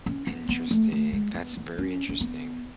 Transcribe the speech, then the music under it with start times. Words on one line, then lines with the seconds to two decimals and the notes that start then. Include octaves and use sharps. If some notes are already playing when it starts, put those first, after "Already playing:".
Interesting, that's very interesting.
0.06 C#4
0.27 B3
0.49 B3
0.71 A3
0.92 A3
1.13 G#3
1.34 B3
1.57 B3
1.78 C#4
2.09 C#4
2.21 B3